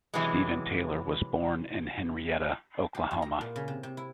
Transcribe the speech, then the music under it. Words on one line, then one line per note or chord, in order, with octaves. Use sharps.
Steven Taylor was born in Henryetta, Oklahoma.
C3 E3 F#3 G#3
G4
E4
A#5
A#2
C#3
C3
C3
E4